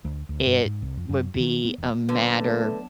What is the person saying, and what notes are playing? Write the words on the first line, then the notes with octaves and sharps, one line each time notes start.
it would be a matter
D2
D2
G2
G#2
C2
F2
F#2
D#3
B3
E1
D3 F#3 B3 B4 D5 A5
A3